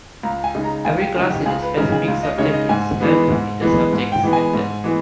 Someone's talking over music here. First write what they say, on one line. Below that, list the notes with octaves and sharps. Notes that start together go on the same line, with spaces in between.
Every class in a specific subject is held in the subject's center.
C#2 A#5
G#5
C#3 G#3 D#4
A#5
C#2 G#5
G5
C#3 G#3 D#4 G#4
G4
C#2 G#4
B4
C#3 G#3 D#4 A#4
G#4
C#2
D#5
C#3 G#3 D#4 C#5
D#5
G#2 G#5
E3 G#3 B3
G#2
E3 G#3 B3
G#2
G5
E3 G#3 B3
G#5
G#2
E3 G#3 B3